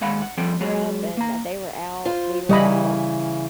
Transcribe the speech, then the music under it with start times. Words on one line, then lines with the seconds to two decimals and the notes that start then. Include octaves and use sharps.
grew up and they were out we were out
0.01 D#2 G#3 F5 F#5 B5
0.22 F#5
0.37 F3 G3 C4 A4 F#5 G5
0.60 F#3 G#3 F#4 G#4 C#5
1.17 A#3 A#5
2.05 F4 C5
2.49 C#3 E3 G3 D#5 B5